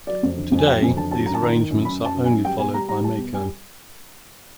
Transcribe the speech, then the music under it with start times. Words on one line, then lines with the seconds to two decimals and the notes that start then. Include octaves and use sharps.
Today these arrangements are only followed by maiko.
0.07 F#3 D5
0.23 F2
0.37 D3
0.52 F2
0.57 G#5
0.67 F#3 G5
0.82 F2 G#5
0.97 D3 A5
1.11 F#3 A5
1.26 F#2 A#5
1.34 A5
1.41 D#3 A#5
1.55 D#3
1.70 F#2
1.85 F#2 B5
2.00 F#2 A5
2.14 F#2
2.24 G#5
2.30 F#2
2.45 G3 G5
2.59 B2 G#5
2.74 G3 A#5
2.89 G3 A#5
3.04 G3 A5
3.18 B2
3.33 G3 G#5